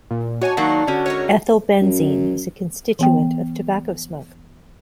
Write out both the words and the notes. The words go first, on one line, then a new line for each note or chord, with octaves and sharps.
Ethylbenzene is a constituent of tobacco smoke.
A#2
D4 D#4 F#4 C#5 G#5
D#3 F#3 A#3 D4 D#4 F#5
D3 C#4 F#4
G#3 D#4 A#4 C#5
F#2
E3 B3 G5